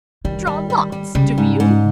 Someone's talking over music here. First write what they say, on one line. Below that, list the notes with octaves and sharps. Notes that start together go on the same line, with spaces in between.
Draw lots, do you?
D#3 G3
G3
G3
G3
C#3 G3
G#2
G#2